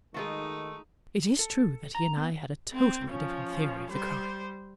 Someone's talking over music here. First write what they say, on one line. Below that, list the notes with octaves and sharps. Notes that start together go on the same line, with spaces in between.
It is true that he and I had a totally different theory of the crime.
D#3 G#3 A3 D#4 F4 F#4
A4
A#5
B3
C4
F3 C#4
G3 C5